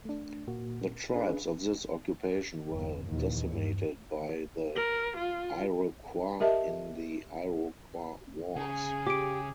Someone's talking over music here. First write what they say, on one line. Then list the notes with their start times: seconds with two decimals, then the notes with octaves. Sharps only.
The tribes of this occupation were decimated by the Iroquois in the Iroquois Wars.
0.05 A3 D4
0.48 A#2 A#3 F#4
1.13 C#4 D4 G#4 B4
2.72 G1 E2
3.07 D#2 A#2 E3 F3
3.46 G2
4.75 A#4
5.17 F4
6.40 G4 A#4 D#5 E5 A5
8.56 C#3 G#4
9.07 G4 D6 D7